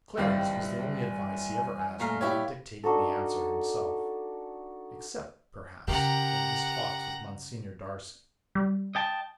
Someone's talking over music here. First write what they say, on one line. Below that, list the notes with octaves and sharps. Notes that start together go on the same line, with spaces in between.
Clara's was the only advice he ever asked without dictating the answer himself--except, perhaps, in his talks with Monsignor Darcy.
F#1 D#3 E3 G3 C4 F5
G#5
A#2 A3 A#5 F6 C7
E4 G4 C#5
D4 D#4 F#4 A4
C#3 G4 A#4 F#5 A#5
G3
D#5 G5 A5